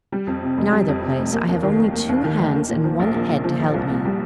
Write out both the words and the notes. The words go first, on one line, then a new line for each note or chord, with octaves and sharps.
In either place, I have only two hands and one head to help me.'
G3
F2
C3
F1
G3
F2
C3
F1
A#3
D#2
D#3
F1
A#3
D#2
D#3
F1
A#3
A#2
F3
A#1
A#3
A#2
F3
A#1
C2
A#2
G3